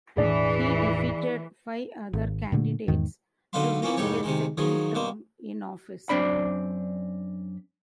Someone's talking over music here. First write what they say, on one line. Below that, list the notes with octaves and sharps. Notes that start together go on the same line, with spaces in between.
He defeated five other candidates to win his second term in office.
E1 A2 E3 D4 G#4 D5
G#1
A#2 D3 A3
E2 G#2 D#3
B1 D3 C4 B4 F5 C6
E3 A#3 C4 C#4 F4
C2 F2 G#2 G3 G4 C#5
C3 D#3 G#3
D#3 F3 F#3 G#4
B2 A#3 C5
F#2 C4 D4 D5 B5